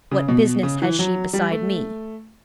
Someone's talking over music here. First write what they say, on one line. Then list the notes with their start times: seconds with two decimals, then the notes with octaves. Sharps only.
"What business has she beside me!"
0.11 C#3
0.28 B2
0.63 C#3
0.82 E3
0.99 F#3
1.33 G3
1.52 A3